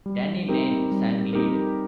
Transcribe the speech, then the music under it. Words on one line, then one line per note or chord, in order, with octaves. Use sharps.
Denny Laine sang lead.
G3
C4 D#4 G4 A#4
G3
C4 D#4 G4 A#4